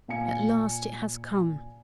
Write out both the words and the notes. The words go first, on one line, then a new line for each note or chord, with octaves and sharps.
"At last, it has come!"
A#2 F5 G#5 C#7